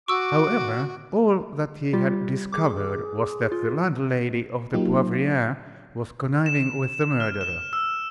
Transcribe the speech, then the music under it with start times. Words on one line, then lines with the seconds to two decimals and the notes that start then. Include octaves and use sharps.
However, all that he had discovered was that the landlady of the Poivriere was conniving with the murderer.
0.08 F#4 C#6 D6 E6
1.93 G3 F4 G4
2.53 G#4 D6
3.52 F4
4.73 F#3 A#3 D#4 F4 G4
6.46 E7
7.20 F6
7.41 E7
7.73 E6